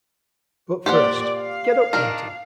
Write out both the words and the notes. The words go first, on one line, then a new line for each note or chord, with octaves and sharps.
But first — get up, Linton!
A#2 G4 C5 D5 F#5
F5
D#3 D4 A#4